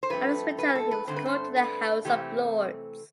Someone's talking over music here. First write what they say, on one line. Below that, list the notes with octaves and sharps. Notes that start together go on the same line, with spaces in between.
On his return he was called to the House of Lords.
C5
G2 F3 A3 C4 B4
B4
A4
B4
G2 D3 A3 C4 C5
B4
C5
B4
C3 E3 A3 C4 G4